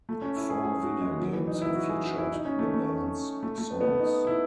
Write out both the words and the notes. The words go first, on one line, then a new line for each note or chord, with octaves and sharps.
Four video games have featured the band's songs.
A3
C#4
E4
G#4
G#4
F#4
G#3
F#3
E3
D#4
E4
F#4
G#4
F#4
E4
D#4
C#4
A3
A3
A3
A3
B3
B3
A3
D#4
E4